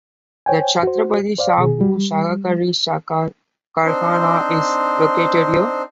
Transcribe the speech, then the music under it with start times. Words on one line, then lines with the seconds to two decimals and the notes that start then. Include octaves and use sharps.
The Chatrapati Shahu Sahakari Sakar Karkhana is located here.
0.46 C5 C#5 G5 G#5
0.83 F#4 C5
1.38 C5 D5 F5
1.58 B2 D#3 G#4
1.81 G3
3.85 C4 D4 D#4 C5